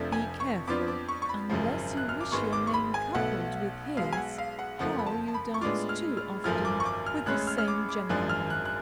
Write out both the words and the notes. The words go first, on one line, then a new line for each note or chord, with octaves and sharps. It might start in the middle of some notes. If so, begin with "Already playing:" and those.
Be careful, unless you wish your name coupled with his, how you dance too often with the same gentleman.
Already playing: F1 F2 F3 A3 D4
G#5
C#6
F2 F3 B3 D4 F4 D6
D6
C#6
C#6
B5
G#1 F#2 C#3 F3
F#6
F6
D6
G#1 G#2 G#3 B3 C#6
D6
C#6
B5
G#5
B1 B2 A3 F#5
B1 B2 G#3 F5
G#5
F#5
F5
F#5
F#1 F2 F3 A3 F#5
B5
A5
A5
B5
C#6
A2 G#3 B3 D4 F4 D6
F6
F6
G#1 F#2 F3 A3 F4 F6
D6
C#6
D6
F6
A1 A2 G#3 C#4 F#6
F6
F6
D6
D6
G#1 F#2 F3 G#3 D4 F#6
F6
F#6
F#6